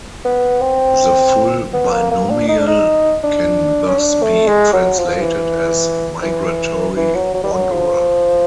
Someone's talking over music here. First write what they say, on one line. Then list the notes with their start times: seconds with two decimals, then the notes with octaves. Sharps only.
The full binomial can thus be translated as "migratory wanderer".
0.25 B3
0.61 C4
1.73 B3
1.92 A#3
2.11 A#3
2.30 D4
2.48 D#4
2.58 D4
2.67 D#4
3.24 D4
3.87 C#4
3.98 D4
4.23 A3
4.48 G#3
4.73 F#3
4.98 F3
5.22 E3
6.22 E3
6.97 E3
7.16 F#3
7.34 F#3
7.43 G3
7.52 F#3
7.72 F3